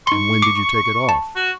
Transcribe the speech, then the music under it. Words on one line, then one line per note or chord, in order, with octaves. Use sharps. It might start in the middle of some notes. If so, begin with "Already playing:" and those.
"And when did you take it off?"
D#4 C6 C#6
D6 C7 C#7
A5
F#4